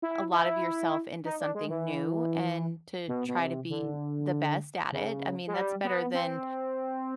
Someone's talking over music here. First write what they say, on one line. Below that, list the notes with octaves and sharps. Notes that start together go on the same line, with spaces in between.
a lot of yourself into something new and to try to be the best at it. I mean, that's better than
E4
E4
D#4
D4
G#3
E3
B2
B2
C3
D3
C#3
G#3
G3
B3
C4